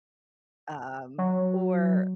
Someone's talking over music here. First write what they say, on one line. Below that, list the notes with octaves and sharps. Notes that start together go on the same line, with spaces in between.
um, or
F#3